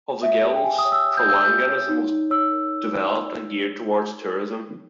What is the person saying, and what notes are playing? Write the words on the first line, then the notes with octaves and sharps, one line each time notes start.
Of the Gilis, Trawangan is the most developed and geared towards tourism.
C#5 E5
E5
G4 E5
G5
G4 G#5
D#6
C#5
E6
C#5
G6
G4 E6
G6
G4
C#5
D#4
D#4
C#5 E6
A#4